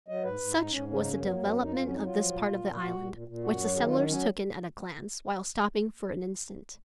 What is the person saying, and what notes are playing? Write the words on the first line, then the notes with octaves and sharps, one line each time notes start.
Such was the development of this part of the island, which the settlers took in at a glance, while stopping for an instant.
F#3 D#5
G#2 B4
G#2
G#2 D#4
G#2 C#4
C#3 C#4
D#4
F#2 C#4
F#3 B3
A#3
F#2
B3
F2 C#4
D#4
F2
F4
F#3 C#4
D#4
F#3
F4
F3
A#2
A#2
A#2
F4
A#2 F#4
A#2
A#2
A#2
F#2 F#4
F#3
D#3 G#4
F4
F#3
F#3 C#4